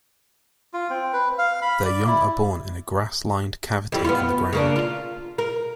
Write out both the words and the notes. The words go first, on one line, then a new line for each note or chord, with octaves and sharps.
Their young are born in a grass-lined cavity in the ground.
F4
C4
B4
F5
B5
D5
E4
F2 G3 E4
B3 F4
C#3 A#3 D4
F4
A#4